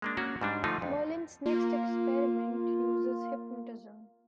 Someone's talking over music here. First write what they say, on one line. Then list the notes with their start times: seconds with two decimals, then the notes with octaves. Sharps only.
Merlin's next experiment uses hypnotism.
0.02 G#3 A#3 D4
0.17 A#3 C#4 F#4
0.41 G#2 G3 D4
0.64 D3 F3 A3 D#4 F4
0.82 F2
1.46 A#3 F4